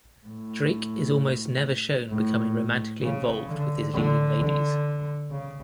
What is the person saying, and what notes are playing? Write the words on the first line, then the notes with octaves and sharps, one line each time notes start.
Drake is almost never shown becoming romantically involved with his leading ladies.
A2
A2
C#3
D3
D3
D3
C#3